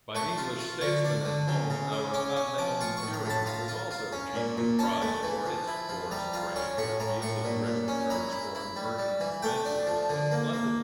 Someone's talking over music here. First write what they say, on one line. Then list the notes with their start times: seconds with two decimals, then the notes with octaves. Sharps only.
By English statesmen at home, our continental interior was also chiefly prized for its forest trade, which yielded rich returns for the merchant adventurers of London.
0.15 A3 C#6
0.38 F4
0.59 F4
0.81 D3 C#6
1.04 D4
1.25 D3
1.48 C#3
1.70 C#3
1.92 C#3
2.14 C#4 D6
2.36 C#4
2.58 F3 D6
2.81 F4 C#6
2.97 C#6
3.02 A2
3.14 A#5
3.25 A2 A5
3.46 F4 A#5
3.68 F4
3.91 F4
4.12 C#4
4.36 A#2
4.57 A#2
4.79 C#4 A5
5.02 A3
5.23 E3
5.46 F3
5.68 E4
5.89 F3
6.11 G3 A#5
6.33 F4 A#5
6.56 C#4 C#6
6.77 A2 C#6
7.00 A2 A#5
7.22 A2 C#6
7.44 A#2
7.66 A#2
7.88 C#4
8.10 E4 A#5
8.32 E4
8.55 E4
8.76 G3
8.98 G3
9.20 E3
9.42 A3 G5
9.65 D4
9.87 F3
10.09 D3
10.32 A#3
10.54 A#3